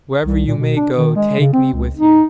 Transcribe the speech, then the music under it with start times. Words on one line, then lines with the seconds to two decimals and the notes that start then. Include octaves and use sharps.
Wherever you may go take me with you!'
0.24 C2
0.47 A#2
0.59 B2
0.76 D4
0.96 D#3
1.16 G#3
1.39 C#3
1.53 C4
1.73 C#2
1.97 D#4